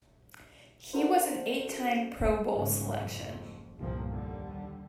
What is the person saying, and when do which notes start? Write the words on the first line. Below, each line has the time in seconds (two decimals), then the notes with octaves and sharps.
He was an eight-time Pro Bowl selection.
0.93 C#4 D4 F#4 A4 A#4 C5
2.53 G#1 C#3 G#3
2.97 F#1 F2
3.78 G1 C2 A#2 F3 A#3
4.12 D#2 D3 G3